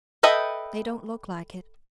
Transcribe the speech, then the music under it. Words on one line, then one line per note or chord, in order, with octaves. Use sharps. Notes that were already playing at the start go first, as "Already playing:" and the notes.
They don't look like it.
A4 B4 D#5 E5 G5